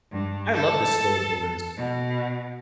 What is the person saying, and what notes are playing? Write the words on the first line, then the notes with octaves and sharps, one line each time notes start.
I love the slow burns.
G2
A4
B2